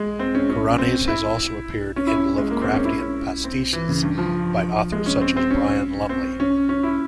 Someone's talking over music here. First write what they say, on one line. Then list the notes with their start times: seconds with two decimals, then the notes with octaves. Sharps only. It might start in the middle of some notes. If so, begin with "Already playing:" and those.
Kuranes has also appeared in Lovecraftian pastiches by authors such as Brian Lumley.
Already playing: G#3
0.19 C4
0.35 C#4
0.50 C#4
0.78 C4
1.08 E4
1.96 C#4
2.07 E4
2.17 C#4
2.38 G#3
2.50 A#3
2.62 C4
2.74 C#4
2.85 E4
2.99 C#4
3.44 C4
3.73 E3
3.89 C#3
4.03 G2
4.18 F3
4.92 G#3
5.06 C#4
5.21 C4
5.37 C4
5.51 C#4
6.09 C4
6.40 C#4
6.69 C#4
6.83 E4